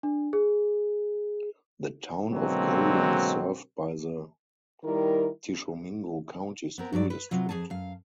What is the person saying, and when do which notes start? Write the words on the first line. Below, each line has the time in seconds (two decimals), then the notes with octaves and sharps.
The Town of Golden is served by the Tishomingo County School District.
0.03 D4
0.33 G#4
2.31 B2 D3 F#3 G#3 A#3 C4
4.84 D#3 G3 E4 A#4
6.78 B3 C4 A#4
6.92 G2 F#3 G#4 D5
7.10 B4
7.31 C3 F#3 F4
7.49 F2 C#3 G#4 G#5 A5
7.70 F#2 F5